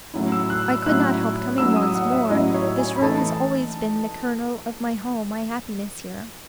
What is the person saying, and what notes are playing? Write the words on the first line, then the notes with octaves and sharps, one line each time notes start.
'I could not help coming once more. This room has always been the kernel of my home, my happiness here.'
A2 F#3 C#4 E4
E6
F#6
E6
A2 F#3 C#4 E4 F#6
A2 F#3 C#4 E4 E6
D#6
F#5
E5
A2 F#3 C#4 E4 D#5
C#5
G#5
B5
E3 A3 D#4 A5